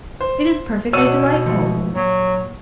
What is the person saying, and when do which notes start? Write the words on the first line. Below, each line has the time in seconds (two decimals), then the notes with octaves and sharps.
It is perfectly delightful.
0.21 C5
0.93 B2 C#5 D5 F#5 E6 D#7
1.46 G#2 F3 A3
1.95 A#2 F#3